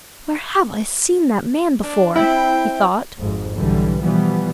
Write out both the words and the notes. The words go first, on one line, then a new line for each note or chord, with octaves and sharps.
"Where have I seen that man before?" he thought.
D4
C4 E4 G5
G#1 F2 G#2
B1 D3 E3 G3
B2 E3 F3 G3 B3